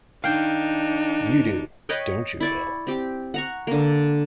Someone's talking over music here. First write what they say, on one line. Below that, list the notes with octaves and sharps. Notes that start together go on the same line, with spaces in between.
You do, don't you, Phil?
D#3 D4 D#4 F5 G5 G6
B4 C#5 D#5 G5
E4 D5 C#6
C4 G4
F#5 A#5 C#6
D3 A#3